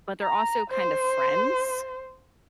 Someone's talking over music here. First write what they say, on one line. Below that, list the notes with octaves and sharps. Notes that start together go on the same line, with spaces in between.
but they're also kind of friends,
A#5
C5